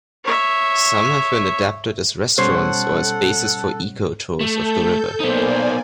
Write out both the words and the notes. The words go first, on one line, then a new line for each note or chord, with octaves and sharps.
Some have been adapted as restaurants or as bases for eco-tours of the river.
C#5 E5
B2 G3 C#4 A4 C5 C#5 F#5
A3 A4 G6
A#3 B3 D#4 C5 D5 G#5